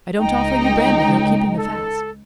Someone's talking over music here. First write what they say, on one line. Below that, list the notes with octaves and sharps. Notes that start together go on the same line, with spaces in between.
I don't offer you brandy, you're keeping the fast.
C#2 D#4 G5 A#5
A4